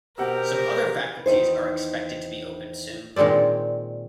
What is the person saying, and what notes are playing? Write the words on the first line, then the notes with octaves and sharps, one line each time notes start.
Some other faculties are expected to be opened soon.
B2 G4 A#4 C5 F#5 E6
E2 D#3 D#4 C5
A#2 D#3 G#3 C4 D5